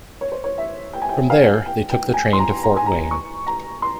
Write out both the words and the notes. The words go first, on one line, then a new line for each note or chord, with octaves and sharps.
From there, they took the train to Fort Wayne.
C#5
C5
C#5
E5
G5
G#5
G5
F5
G5
G5
G#5
C6
A#5
A#5
G#5
A#5
C#6
A#5
C6